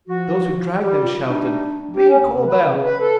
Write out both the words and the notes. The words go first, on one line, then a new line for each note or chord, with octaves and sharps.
Those who dragged them shouted, "Vive Colbert!"
F3 F#4
G3 G4
F4
G3 A3 D4 D#4
G4
C#4
D#2
C3
B4
C#3
B4
A4